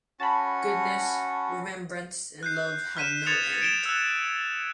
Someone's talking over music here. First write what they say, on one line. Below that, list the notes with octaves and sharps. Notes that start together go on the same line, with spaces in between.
Goodness, remembrance, and love have no end.
C#4 F#4 A5 B5
F#6 G6 C7
F6 B6 D#7 E7
D#6 F#6 G#6 A6 C#7 F7
D7 E7 G7
E6 F#6